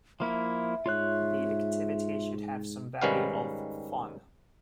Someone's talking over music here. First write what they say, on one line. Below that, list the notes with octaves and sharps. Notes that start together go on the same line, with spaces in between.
The activity should have some value of "fun".
F3 A#3 E4 E5
G#2 F4 C#5 F#6
G#2 D#3 G3 C#4 B4 F5